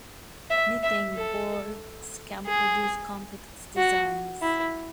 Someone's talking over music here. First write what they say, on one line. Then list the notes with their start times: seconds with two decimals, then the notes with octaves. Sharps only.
Knitting boards can produce complex designs.
0.50 E5
0.83 E5
1.15 A4
2.46 G#4
3.77 F#4
4.42 E4